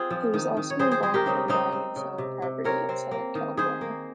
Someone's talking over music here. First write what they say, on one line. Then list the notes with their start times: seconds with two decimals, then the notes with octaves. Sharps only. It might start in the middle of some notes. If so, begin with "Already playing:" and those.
He also was involved in buying and selling property in Southern California.
Already playing: C4 F4 G#4 C5
0.10 F3
0.34 D#3
0.57 D#3
0.70 C#5
0.79 C4 G#4 C5
0.91 G#4 C5
1.03 G#3 G#4 C5
1.14 G4 A#4
1.26 C#3 C4 D#4
1.48 C#3 C4 D#4
1.72 C4
1.96 C#3
2.18 C3
2.42 C3
2.64 C4 A#4 C#5
2.89 C4
3.11 A#3
3.35 D#3
3.57 D#3 G#4 C5
3.81 A#3